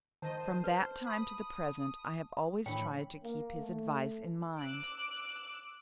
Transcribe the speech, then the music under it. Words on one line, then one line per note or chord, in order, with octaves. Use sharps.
From that time to the present I have always tried to keep his advice in mind.
D#3 C5 D#5 A5 D#7
B4 G6
B5 D#6
A2 D#3 E3 D4 C#5 G5 B5
A#3
A3
D6 E6 F#6 D7